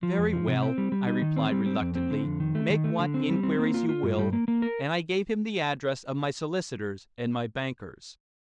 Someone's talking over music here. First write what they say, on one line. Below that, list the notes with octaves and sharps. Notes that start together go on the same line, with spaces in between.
"Very well," I replied reluctantly; "make what inquiries you will." And I gave him the address of my solicitors and my bankers.
F3
F2
F3
C3
C4
G3
G3
D#4
D#3
C4
G3
C4
F2
C4
D3
F2
D#3
A3
D#3
A3
D3
C4
G3
C4
A#3
F4
F4
G2
G3
A#3
A#3
A#4